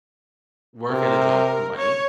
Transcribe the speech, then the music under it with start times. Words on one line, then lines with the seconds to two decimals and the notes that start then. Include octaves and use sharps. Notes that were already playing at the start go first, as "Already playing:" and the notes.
work at a job for money,
0.91 C3 A#4
1.77 C#5